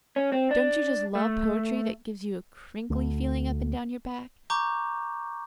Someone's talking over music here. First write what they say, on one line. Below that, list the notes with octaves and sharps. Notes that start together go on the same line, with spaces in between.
Don't you just love poetry that gives you a crinkly feeling up and down your back?
C#4
C4
D4
A3
D2 A3
A#5 C#6 D6 G6